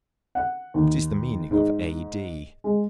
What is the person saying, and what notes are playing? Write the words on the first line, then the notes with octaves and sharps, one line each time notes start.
What is the meaning of A.D.?
F#5
D#2
G#2
G#3